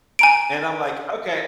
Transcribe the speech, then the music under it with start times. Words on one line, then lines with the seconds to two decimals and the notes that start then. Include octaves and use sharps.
and I'm like, "Okay,
0.19 G#5 A#5 D7